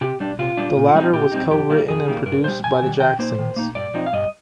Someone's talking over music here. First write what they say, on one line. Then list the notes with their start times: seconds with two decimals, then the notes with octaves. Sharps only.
The latter was co-written and produced by The Jacksons.
0.01 C3 G4
0.20 G3 D4
0.39 C3 F4
0.57 G3 D4
0.77 A#2
0.95 G3 C4 D#4
1.13 A#2 G4
1.32 G3 C4 D#4
1.51 F2 G4
1.70 D#3 G3 A#3
1.88 F2 G#4
2.07 D#3 G3 A#3
2.26 G2 A#4
2.44 D#3 C5
2.48 G3
2.64 G2 G#5
2.82 D#3 G3
3.00 D#3 G5
3.19 A#3 D#4 C5
3.39 D#3
3.56 A#3 D#4
3.75 G2 D5
3.94 F3 C4 D#4
4.06 F5
4.13 G2 D#5